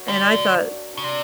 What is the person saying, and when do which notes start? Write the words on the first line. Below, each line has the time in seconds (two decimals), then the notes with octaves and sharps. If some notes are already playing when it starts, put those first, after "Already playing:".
and I thought,
Already playing: F#4 A#4 C#5
0.08 D3 D4
0.30 F#4
0.51 A#4
0.73 C#5
0.94 C#3 D4
1.04 C3